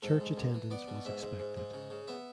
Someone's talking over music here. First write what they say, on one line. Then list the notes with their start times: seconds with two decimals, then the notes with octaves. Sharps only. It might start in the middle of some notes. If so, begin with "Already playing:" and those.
Church attendance was expected.
0.03 G#2 A4
0.20 G#2
0.37 F#2
0.54 E3
0.71 B3 D5
0.88 B2
1.05 G#2 E5
1.22 G#2
1.39 G#2
1.57 G#2
1.74 C#3
1.90 C#3
2.08 B3 E5